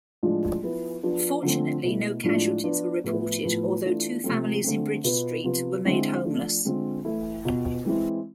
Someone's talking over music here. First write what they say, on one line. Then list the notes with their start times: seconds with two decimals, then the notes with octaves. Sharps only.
Fortunately no casualties were reported although two families in Bridge street were made homeless.
0.23 A2 F3 G#3 D4 F4
0.63 F3 B3 E4
1.03 F3 B3 D4 F4
1.43 D3 F3 A3 C4
1.84 B2 A3 E4
2.23 A2 F3 G#3 D4 F4
2.63 F3 B3 D4 F4
3.04 A2 F3 B3 E4
3.43 A2 F3 B3
3.84 E3 A3 D4 F4
4.24 C3 F3 A3 C4
4.64 D3 A3 C4
5.04 B2 B3 F4
5.44 C3 F3 B3 F4
5.85 D3 G#3 C4 E4
6.25 F3 A3 D4 F4
6.65 D3 G#3 C4 F4
7.05 E3 A3 E4
7.45 B2 B3 F4
7.85 E3 G#3 C4 E4